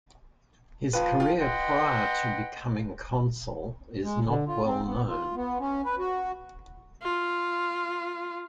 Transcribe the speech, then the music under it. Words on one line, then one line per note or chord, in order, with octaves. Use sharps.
His career prior to becoming consul is not well known.
F3 B4 G5
F4 G5
B4 D#5 F#5 G5 A#5 C6
G#3
D3
F4
C4
B3
F4
B3
C#4
B4
F#4
F4